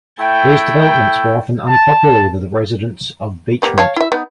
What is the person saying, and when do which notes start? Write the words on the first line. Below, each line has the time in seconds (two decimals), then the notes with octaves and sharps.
These developments were often unpopular with the residents of Beechmont.
0.19 A3 E4 G5
1.67 A5
3.62 G3 A#3 B3
3.78 C#5 F5 A5
3.96 E4 E5
4.12 B3 D#4